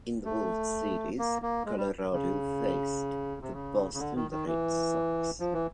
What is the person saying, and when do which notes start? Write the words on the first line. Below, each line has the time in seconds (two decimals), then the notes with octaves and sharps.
In the World Series, Colorado faced the Boston Red Sox.
0.25 A3
1.19 A#3
1.42 A#3
1.66 G#3
1.77 G3
2.12 C#3
3.41 C3
3.53 C#3
3.94 C#3
3.99 D3
4.15 D#3
4.31 D#3
4.46 E3
5.40 F3
5.53 E3